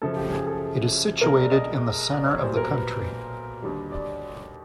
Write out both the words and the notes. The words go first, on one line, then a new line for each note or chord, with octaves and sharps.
It is situated in the center of the country.
F#2 C#3 F3 A4
G4
G#4
A4
C2 B2 G#3 A#4
D5
D#5
D5
C#5
B1 A#2 G3 C5
A#4
B4
D#2 D3 G3
D5